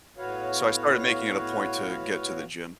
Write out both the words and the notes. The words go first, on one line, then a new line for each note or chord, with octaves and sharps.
So I started making it a point to get to the gym.
A2 B3 F#4 B4 C#5 F5